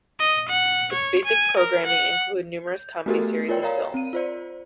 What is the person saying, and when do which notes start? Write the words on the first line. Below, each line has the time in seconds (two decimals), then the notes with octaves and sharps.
Its basic programming include numerous comedy series and films.
0.19 D#5
0.49 F#5
0.93 C#5
1.25 G#5
1.57 A#4
1.86 F#5
2.67 G6
3.06 A3 B3 F#4 G4 A4 A#4
3.49 F4 A#4 C#5 D5 G5
3.62 A#4 C#5 D5 F5 A#5
3.94 C4 D#7
4.13 F4 C5 D5